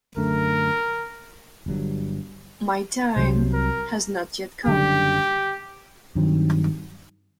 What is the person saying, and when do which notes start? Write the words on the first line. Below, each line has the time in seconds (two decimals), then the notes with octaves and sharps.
My time has not yet come.
0.17 F#2 D3 A3 A#4
1.66 G1 G2 F#3
3.16 C2 C3 F#3 C5
3.54 A#4
4.65 F#1 F#2 D3 G3 G4
6.15 G2 D#3 F#3 C4